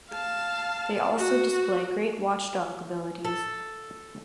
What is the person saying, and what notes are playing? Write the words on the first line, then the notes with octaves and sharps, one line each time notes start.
They also display great watchdog abilities.
F5 A5
F#4
A4